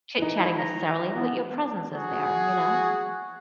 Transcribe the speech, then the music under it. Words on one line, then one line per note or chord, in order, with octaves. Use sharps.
chitchatting necessarily, but your presence is there, you know?
E3 D#4
E4
A#5
E3 B3
F#4 G#4